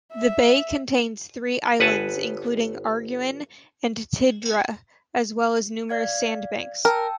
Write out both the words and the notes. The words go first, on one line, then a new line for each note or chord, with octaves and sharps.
The bay contains three islands, including Arguin and Tidra, as well as numerous sandbanks.
E5
G1 B4 F#5 G#5 A5
D5 F5 G#6
A#4 G5 A5 E6